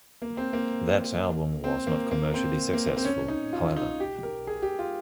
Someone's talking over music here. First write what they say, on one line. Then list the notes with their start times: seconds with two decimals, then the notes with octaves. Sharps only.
That album was not commercially successful, however.
0.22 A#3
0.37 C4
0.53 A#3
1.64 C4
1.87 A#3
2.11 A#3
2.34 C4
2.73 A#3
2.87 A#3
2.96 C4
3.05 C#4
3.28 D#4
3.53 F4
3.77 D#4
4.00 G4
4.23 A#4
4.47 G#4
4.62 G4
4.79 F4